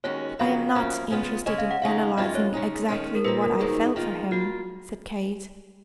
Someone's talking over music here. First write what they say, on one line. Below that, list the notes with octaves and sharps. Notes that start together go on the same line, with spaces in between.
"I am not interested in analyzing exactly what I felt for him," said Kate.
D#2 D#3 G#3 C#4 F#4 C#5
F2 C#3 F#3 A#3 F5
F#2 F3 A#3 C#4
C#3 G#3 B3 F4
C#3 G#3 C#4 D#5
F5
F#5
D#2 C#3 G#3 D#4 F5
F#2 D#3 G#3 C#4 F4 D#5
C#5
C#3 G#3 D#4
D#3 G#3 C#4
A#4
A#2 F3 A#3 B4
A#4
G#2 D#3 F#3 A#3 D#4 G#4
D#3 A#3 F4
A#3 F4 F#4